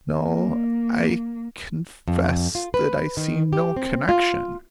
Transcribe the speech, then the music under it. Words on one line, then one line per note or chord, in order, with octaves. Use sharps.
"No, I confess that I see no connection."
A#3
F2
F4
B4
D#3
G4
C4
F4